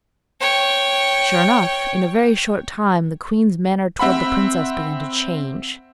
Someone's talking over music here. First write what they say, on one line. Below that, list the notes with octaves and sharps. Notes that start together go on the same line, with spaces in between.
Sure enough, in a very short time the queen's manner towards the princess began to change.
C#5 G5
C4 E5 F#5 B5